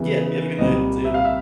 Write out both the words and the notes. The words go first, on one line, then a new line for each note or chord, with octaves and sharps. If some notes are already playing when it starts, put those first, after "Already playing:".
Yeah, you have a good night. See you.
Already playing: E2 C#3 E3
C2 A#2 G3 D#5
E5
F5
E5